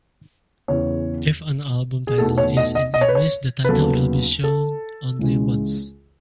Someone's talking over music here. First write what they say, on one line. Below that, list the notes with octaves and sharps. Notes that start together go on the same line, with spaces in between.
If an album title is in English, the title will be shown only once.
E2 C#3 E3 C#5
G#4
E2 B2 A3 D#4 A4
C#5
D#5
D#5
D#5
C#5
B4
C#5
B4
D#2 C#3 F#3 B3 A4
A4
C#2 C#3 E3 G#3 C#4